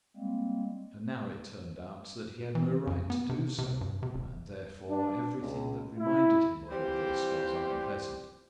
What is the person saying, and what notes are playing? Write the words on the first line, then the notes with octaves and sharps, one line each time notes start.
And now it turned out that he had no right to do so, and therefore everything that reminded him of all this was unpleasant.
G3 G#3 A#3 C4
E3
F#2
B3
C3
C3
G2
C3
D#1
D4
C#2
E4
E3 F3 G3 C4 G4 C5